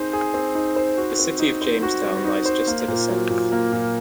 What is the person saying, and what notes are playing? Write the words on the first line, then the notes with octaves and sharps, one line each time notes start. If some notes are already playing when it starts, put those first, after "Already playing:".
The city of Jamestown lies just to the south.
Already playing: C4 D#4 G#4 C5
G#4
C4
D#4
C5
F#4
C4
D#4
C5
F#4
C4
D#4
C5
A#3
A#2
F#3
A#2
A#3
A#2